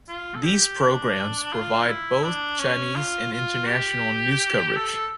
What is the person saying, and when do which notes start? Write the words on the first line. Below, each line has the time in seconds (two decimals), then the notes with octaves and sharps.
These programmes provide both Chinese and international news coverage.
0.09 F4
0.35 A4
0.45 G4
0.81 D4
1.53 F4
1.89 E4
2.24 D4
2.60 C#4
2.96 F4
3.32 F4
3.68 G4
4.76 A4